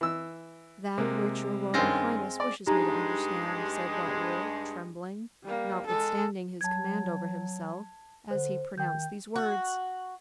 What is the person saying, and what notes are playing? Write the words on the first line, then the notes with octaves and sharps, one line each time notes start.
"That which your royal highness wishes me to understand," said Raoul, trembling, notwithstanding his command over himself, as he pronounced these words.
E3 E6
C3 G#3 A#3
G2 D#3 G#3 C4 C#4 F4 A#6
D5
G2 G#3 D#4 G4 A#5
G3 A#3
G#3 A4
F#3 A5 G#6
D3 C5
D#3 G5 G6
F#4